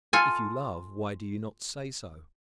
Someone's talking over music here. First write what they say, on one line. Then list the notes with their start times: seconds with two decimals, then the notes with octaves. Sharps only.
If you love, why do you not say so?
0.13 F4 A4 G#5